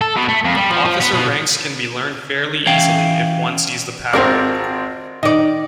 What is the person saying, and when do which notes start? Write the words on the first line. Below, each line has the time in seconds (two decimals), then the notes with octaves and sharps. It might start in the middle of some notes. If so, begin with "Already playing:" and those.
Officer ranks can be learned fairly easily if one sees the pattern.
0.01 A4
0.16 B2
0.29 A3
0.45 F2
0.56 G3
0.71 F3
0.85 F3
1.01 B3
1.14 B2
2.67 E3 C#4 F5 G5
4.13 G#1 C4 F4 A#4 D5
5.23 D#3 D5 D#5